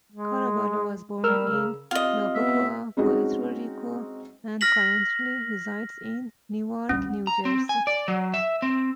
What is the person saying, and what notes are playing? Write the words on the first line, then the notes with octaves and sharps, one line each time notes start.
Caraballo was born in Yabucoa, Puerto Rico, and currently resides in Newark, New Jersey.
G#3
G3 A#4 E6 F6
C#3
C3 F4 D#5
B3 E5
G#3 C4 C#4 D#4 F#4 G#4
F6 A#6 B6 F#7
A1 D2 G3 C#4
A#5
C4
G#5
D5
F#3
E5
C4